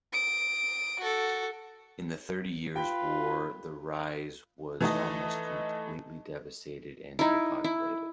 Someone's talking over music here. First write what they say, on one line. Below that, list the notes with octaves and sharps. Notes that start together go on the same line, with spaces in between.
In the Thirty Years' War the Ries was almost completely devastated and depopulated.
D#6 D7
F#4 A4
F4 B4 G5
E3 A3 D#4 A4 D#5
D#4 E4
E4